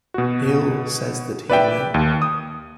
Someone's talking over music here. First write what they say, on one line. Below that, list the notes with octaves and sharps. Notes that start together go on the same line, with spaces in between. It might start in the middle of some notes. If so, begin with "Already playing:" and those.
Ill says that he will.
B2 F#4
B4 D5 E5 G5
D#2
D#6